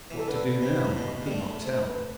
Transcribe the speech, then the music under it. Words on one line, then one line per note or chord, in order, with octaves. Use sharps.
What to do now, I could not tell.
E3
A4
D3 B4
C3
A2
B2
G3
A3
C5
B4